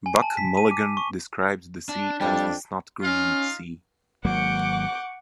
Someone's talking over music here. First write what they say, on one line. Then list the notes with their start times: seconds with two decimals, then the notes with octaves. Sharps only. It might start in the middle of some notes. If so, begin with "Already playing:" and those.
Buck Mulligan described the sea as The snotgreen sea.
0.06 G#5
0.22 A5
0.37 B6
0.57 D#7
0.71 D6
0.97 C#6
1.89 D4
2.21 F2 G3 D4 G5
3.02 C#4 D#4 F4 F5
4.25 G#1 F#3 A#3 F#5 C#6 D6 G6